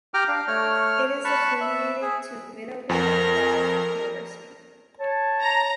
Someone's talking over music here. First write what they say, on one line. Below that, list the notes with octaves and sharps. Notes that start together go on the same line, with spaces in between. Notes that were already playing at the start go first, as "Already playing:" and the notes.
It is affiliated to Vinoba Bhave University.
G4 G5 A#5 D6 F6
D4 F5
A3 C#5 F6
A5 B5 C#6 F#6
E5
G#4
F2 A#4
C#5 A5
A#5